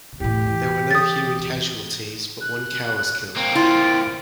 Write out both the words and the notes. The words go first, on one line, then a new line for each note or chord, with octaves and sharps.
There were no human casualties, but one cow was killed.
E2 A2 G4
E3
D#6 A6
F#6
A#3 C4 D7
E4 F4